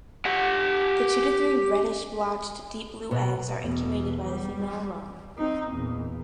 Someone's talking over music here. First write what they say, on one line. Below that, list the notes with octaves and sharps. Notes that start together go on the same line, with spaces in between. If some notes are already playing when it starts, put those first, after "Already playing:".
The two to three reddish-blotched deep-blue eggs are incubated by the female alone.
G4 F#5
B2
E2 B2
G3
C4 D#4
E2 A#2